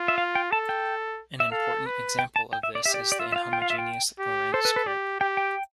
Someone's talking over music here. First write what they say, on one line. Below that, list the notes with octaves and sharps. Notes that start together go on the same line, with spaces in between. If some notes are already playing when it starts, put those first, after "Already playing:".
An important example of this is the inhomogeneous Lorentz group.
Already playing: F4
E5
F5
G5
A4 A5
G5
E5
A4 F5
B4
G5
A5
G5
E5
D5
G4 E5
D5
D5
F4 E5
E5
F5
G5
F5
E5
G5
G4
A4 C5
B4
B4
G4 D5
G4 G5
G5